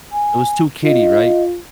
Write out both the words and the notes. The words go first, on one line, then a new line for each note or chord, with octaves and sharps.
It was too kiddy, right?
G#5
F4 D#5